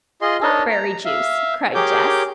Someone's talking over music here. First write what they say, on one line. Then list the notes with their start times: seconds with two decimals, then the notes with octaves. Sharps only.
"Blackberry juice!" cried Jess.
0.22 F4 G#4 D#5 C6
0.43 D4 D#4 A#4 C#5 D#5 A5
0.70 A#5
1.05 E5 F5
1.75 G4 G#4 A#4 C#5 D6 G6